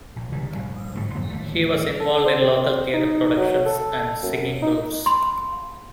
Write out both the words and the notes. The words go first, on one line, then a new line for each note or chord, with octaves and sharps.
He was involved in local theater productions and singing groups.
A#1
C#2 C3 D#3 G3
A#1 G2
A1 G#2 D3 A3
F2 D3 F#3 B3
A1 D#2 G3 A3
A4
C5
C4
C4
D#4
F#3
A4
F#2
D#4
B5 C6